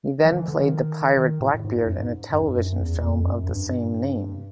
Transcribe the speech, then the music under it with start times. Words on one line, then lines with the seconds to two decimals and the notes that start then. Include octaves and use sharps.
He then played the pirate Blackbeard in a television film of the same name.
0.25 F3
0.32 D#3
0.36 E3
0.48 D3
0.60 D#3
1.17 D#3
1.40 A2
1.54 A2
1.65 G#2
1.76 G#2
1.87 F#2
1.99 G#2
2.33 G2
2.42 G#2
2.49 G2
2.56 F#2
2.80 E2
3.03 F2
3.26 F#2
3.44 F#2
3.49 G2